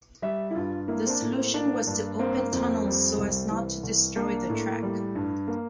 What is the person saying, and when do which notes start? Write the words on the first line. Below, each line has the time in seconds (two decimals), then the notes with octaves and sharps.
The solution was to open tunnels so as not to destroy the track.
0.22 G3 E5
0.51 E4
0.55 G2 F4
0.88 A#3 E4
1.06 C4
1.10 D4
1.21 A2
1.32 C4
1.54 A#3 D4
1.87 G2 D4
2.19 A#3 C4
2.52 F2 C4
2.85 G3
3.18 C2
3.51 E3
3.83 C2
4.16 A#3 D4
4.49 A2
4.83 G3
5.15 G2
5.48 A#3